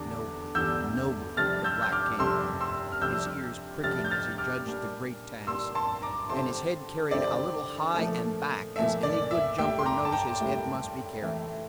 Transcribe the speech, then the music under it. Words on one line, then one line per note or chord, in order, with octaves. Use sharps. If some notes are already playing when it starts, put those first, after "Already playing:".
Nobly, nobly the black came on, his ears pricking as he judged the great task and his head carried a little high and back as any good jumper knows his head must be carried.
Already playing: E2 D3 G3 D4 D6
E2 D3 G3 D4 E6 G6
F2 C3 G3 D4 F6 A6
E6 G6
G6
D6 F6
F2 C3 G3 D4 C6 E6
C6 E6
F6
F2 C3 G3 D4 E6 G6
F2 C3 G3 D4 F6 A6
G6
F6 A6
D6 F6
A#2 G3 D4
A#2 G3 D4 C6 E6
A5 C6
A#5 D6
G2 D3 G3 C4 E4 A5 C6
G2 D3 G3 C4 E4 D5
A#2 F3 A3
A#2 F3 A3 E5
D5
E5
A2 G3 A#3 E4 E5 G5
C6
A#5 D6
A5
G5 A#5
A2 G3 A#3 E4
A2 E3 A3 E4